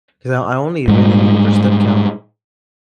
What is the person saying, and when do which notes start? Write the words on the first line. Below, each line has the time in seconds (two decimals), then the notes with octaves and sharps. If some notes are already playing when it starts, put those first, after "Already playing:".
'cause I o I only really need it for step count.
0.88 G#2 G3